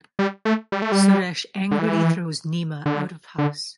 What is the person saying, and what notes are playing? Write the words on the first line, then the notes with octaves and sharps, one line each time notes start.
Suresh angrily throws Nima out of house.
G3
A3
G3
A3
G3
D3
E3
D3
D3